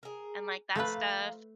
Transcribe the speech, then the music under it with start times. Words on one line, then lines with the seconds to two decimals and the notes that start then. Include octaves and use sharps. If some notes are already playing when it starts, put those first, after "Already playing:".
and, like, that stuff,
0.03 G#4 A#4
0.75 F3 A3 A#3 B4 F5